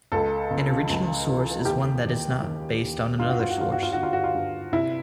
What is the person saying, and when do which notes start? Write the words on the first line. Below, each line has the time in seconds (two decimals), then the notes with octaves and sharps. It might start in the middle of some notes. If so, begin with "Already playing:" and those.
An original source is one that is not based on another source.
0.12 C#2 A4
0.51 C#3
0.89 C#2
1.27 E3
1.65 D#2 G4
2.04 D#2
2.42 D#2
2.81 D#2
3.19 G2 F4
3.29 F#4
3.40 F4
3.50 F#4
3.58 G2 F4
3.72 F#4
3.83 F4
3.93 D3 F#4
4.03 F4
4.13 F#4
4.24 F4
4.35 G2
4.72 C3 E4